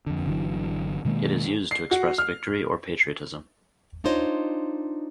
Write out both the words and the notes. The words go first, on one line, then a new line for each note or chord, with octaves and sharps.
It is used to express victory or patriotism.
F2 D3
G1 D3 E3 F#3
B2 D#3 G#3 A#3
C7
F#4
F6
D4 D#4 F4 C5 C#5 D#5